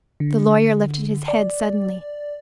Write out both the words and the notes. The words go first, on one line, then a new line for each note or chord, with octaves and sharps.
The lawyer lifted his head suddenly.
D3
D5